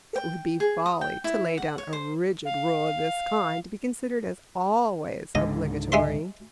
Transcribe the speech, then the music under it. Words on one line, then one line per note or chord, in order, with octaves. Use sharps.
It would be folly to lay down a rigid rule of this kind to be considered as always obligatory.
G5
G#4
D#6
G5
E4
F#5
C#5
C5
F5
C#2 G#2 D3 D#5
G#3 E5 C6